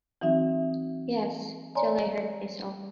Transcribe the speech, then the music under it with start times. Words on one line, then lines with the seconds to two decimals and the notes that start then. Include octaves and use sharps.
Yes, till I hurt myself.
0.21 E3 F#3 C4 D#4 F#4 E5
1.75 C#5 D5 G#5 A#5 C6